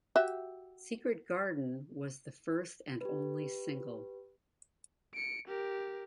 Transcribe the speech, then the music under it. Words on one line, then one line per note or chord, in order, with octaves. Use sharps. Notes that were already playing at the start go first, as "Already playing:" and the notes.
"Secret Garden" was the first and only single.
F#4 G4 E5
G4 B4
C#7 D7
G4 A#4